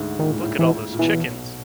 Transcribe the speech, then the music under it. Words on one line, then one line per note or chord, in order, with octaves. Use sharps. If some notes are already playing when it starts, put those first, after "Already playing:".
Look at all those chickens.
Already playing: D2 G#2 D3
A#2 D#3
A2
G#2
A2
E3
A#2
B1 B2 E3